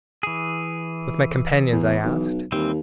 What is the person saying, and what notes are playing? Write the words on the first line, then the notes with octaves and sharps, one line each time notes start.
"With my companions?" I asked.
E3 G#4
E2
B1
D#2 E3 G3 C4